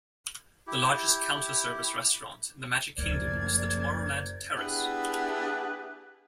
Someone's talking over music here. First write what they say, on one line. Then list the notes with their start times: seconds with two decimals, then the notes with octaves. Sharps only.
The largest counter service restaurant in the Magic Kingdom was the Tomorrowland Terrace.
0.67 E4 G4
2.98 F#1 D2 F3 A#4 C5 D5 G#6
4.57 B3 D4 E4 G4 G#4 B4